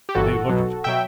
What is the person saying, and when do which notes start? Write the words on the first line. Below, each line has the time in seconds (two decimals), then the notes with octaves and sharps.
"They look it."
0.09 G4
0.15 G1 G2 E3 F#4 A4
0.49 B1 B2 F#3
0.84 B2 F#3 E5 G5